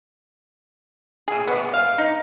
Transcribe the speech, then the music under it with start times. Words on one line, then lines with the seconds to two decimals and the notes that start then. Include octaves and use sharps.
I'm probably gonna.
1.28 G#4
1.47 B3
1.74 F5
1.98 D#4